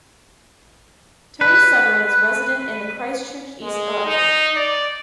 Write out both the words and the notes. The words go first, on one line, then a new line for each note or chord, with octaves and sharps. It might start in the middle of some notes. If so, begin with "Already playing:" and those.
Toni Severin is resident in the Christchurch East electorate.
B4
G#3
D#4
D5